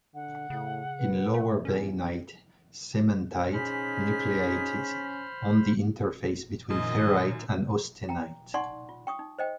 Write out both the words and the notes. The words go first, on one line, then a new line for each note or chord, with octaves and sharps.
In lower bainite, cementite nucleates on the interface between ferrite and austenite.
D3 F#5
A2 C#3
B4
A3
E2 C#4
C#4 D#4 G#4 C5 B5 F6 B6
F#2 A#2 D#3 F3 D#5
G5 A#5
D#4 D5 F#5 G#5 C6 C#6
F4
G5 C#6 D#6
D#4
C5 D#5 G5